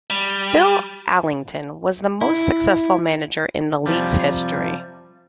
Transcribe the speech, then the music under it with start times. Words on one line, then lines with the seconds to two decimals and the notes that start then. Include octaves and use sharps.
Bill Allington was the most successful manager in the league's history.
0.10 G3
2.21 E4
3.86 F2 C3 F3 G3